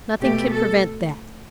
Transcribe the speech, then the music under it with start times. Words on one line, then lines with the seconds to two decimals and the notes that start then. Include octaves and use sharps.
Nothing can prevent that.
0.21 B2 A3 G4
0.51 A4